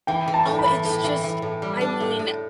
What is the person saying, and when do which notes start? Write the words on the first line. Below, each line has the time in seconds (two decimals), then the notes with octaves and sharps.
oh, it's just I mean,
0.07 E3 G5
0.28 E3
0.34 A5
0.46 A2
0.59 B5
0.66 E3
0.85 A2
1.04 E3
1.24 E3
1.42 A2
1.62 G3
1.81 D4
2.00 A2
2.19 A2